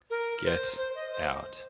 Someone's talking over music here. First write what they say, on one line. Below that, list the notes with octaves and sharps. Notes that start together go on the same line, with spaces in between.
Get out!
A#4
C5
C5
D#5
C5